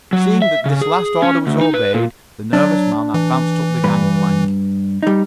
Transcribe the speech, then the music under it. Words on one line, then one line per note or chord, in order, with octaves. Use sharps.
Seeing that this last order was obeyed, the nervous man advanced up the gangplank.
F#3
E5
C#3
G#4
C#4
D2
D#4
B4
A#2
F#3 D4
E3
G2 B4
G3 D#4